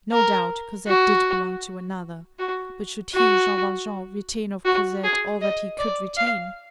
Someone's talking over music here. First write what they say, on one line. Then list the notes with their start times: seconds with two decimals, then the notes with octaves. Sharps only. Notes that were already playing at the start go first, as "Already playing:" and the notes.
No doubt, Cosette did belong to another; but should he, Jean Valjean, retain of Cosette all that he could retain?
0.12 A#4
0.87 F#4
2.39 F#4
3.14 F#4
4.65 F#4
5.04 G#4
5.42 D#5
5.79 D5
6.17 F5